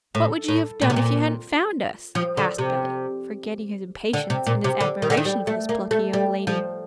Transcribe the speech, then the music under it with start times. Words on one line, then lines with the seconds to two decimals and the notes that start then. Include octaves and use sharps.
"What would you have done if you hadn't found us?" asked Billy, forgetting his impatience in his admiration for this plucky young lady.
0.15 A2
0.48 A2
0.81 A#2
0.90 C3
0.96 A#2
2.15 F3
2.37 D3
2.58 C3
4.13 D3
4.30 C3
4.47 A#2
4.64 C3
4.80 D3
5.02 D#3
5.10 D3
5.17 D#3
5.25 G3
5.47 A3
5.69 A#3
5.91 A3
6.13 G3
6.47 F3